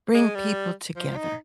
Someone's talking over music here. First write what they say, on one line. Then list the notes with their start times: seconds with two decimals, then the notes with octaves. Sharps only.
bring people together?
0.14 G#3
0.35 G3
0.96 F3
1.16 D#4